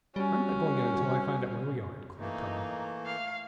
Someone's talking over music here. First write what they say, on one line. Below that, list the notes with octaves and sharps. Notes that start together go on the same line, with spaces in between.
"I'm not going in until I find out where we are," declared Tom.
G3 C#4 F#4
E3 A3 A#3 D#4
F5